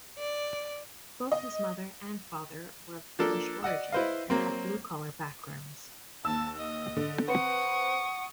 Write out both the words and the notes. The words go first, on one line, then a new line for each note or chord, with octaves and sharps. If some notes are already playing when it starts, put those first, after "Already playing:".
Both his mother and father were of Polish origin and had blue-collar backgrounds.
D5
D#5
F3 A#3 D4 A4
D5 D#5 F#5 E6
E4 B4 C5 D#5 F5
F#3 A#3 C4
D#2 A5 E6
D#5
D3
C4 B4 C5 F#5 C#6 D#6